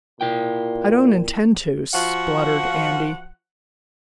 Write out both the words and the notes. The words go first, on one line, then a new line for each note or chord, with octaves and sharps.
"I don't intend to," spluttered Andy.
A#2 E4 G5
F3 F4 F#4 F#5